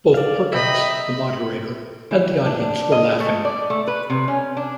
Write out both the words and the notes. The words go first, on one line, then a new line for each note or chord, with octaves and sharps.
Both Perkins, the moderator and the audience were laughing.
D5 F5
D#5 E5 G5 A#5 B5
E3
D4
D#5
A3
D5
A3
B4
C3
C#4
D4